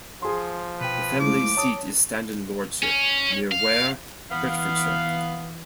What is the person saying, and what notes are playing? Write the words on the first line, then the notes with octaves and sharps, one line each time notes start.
The family seat is Standon Lordship, near Ware, Hertfordshire.
F3 G#4 C6
B2 B4 G5
G#3 A3 E4 D6
C#5 A5 D#6
C#4
F5
E3 B3 F5